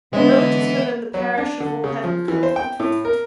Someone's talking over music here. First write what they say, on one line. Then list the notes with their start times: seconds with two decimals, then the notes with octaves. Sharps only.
The village is within the parish of Wolfhampcote.
0.13 D3 E3 G#3 B3 E5
1.14 F#3
1.38 D4
1.60 D3
1.84 C#3
2.04 F3
2.28 E3
2.43 C5
2.56 G5
2.80 A2
3.05 A#4